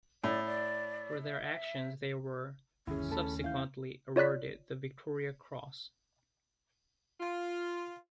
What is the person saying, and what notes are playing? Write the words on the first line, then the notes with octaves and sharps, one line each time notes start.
For their actions they were subsequently awarded the Victoria Cross.
A2 D5
D5
E5
G1 D#2 C#4 E4 G#4
D#2 A3 A4 A5 B5
E2 E4 F5 G6
F4 C#5 D5 F#6 B6
F4